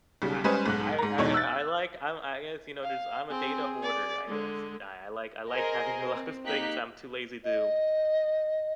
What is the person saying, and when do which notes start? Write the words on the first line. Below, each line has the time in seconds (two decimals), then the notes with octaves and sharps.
I I I I I like I l I guess, you know, just I'm a data hoarder, I guess. I I like I like having a lot of things, I'm too lazy to
0.22 B1 C#3 G3
0.44 G3 G#3 C#4 G#4 B4 C5
0.66 B1 G#2 F#6
0.98 G#2 A#5
1.18 E2 G#2 B2 D#4 C#5
1.34 E6 F#6 A6
2.83 F5
3.29 C4 G#4
3.82 D5
4.27 D3 G#3
5.52 G#4 A#4 C5 D#5 G#5
6.10 C4
6.45 A#3 D#4 G4 F#6 B6
7.44 D#5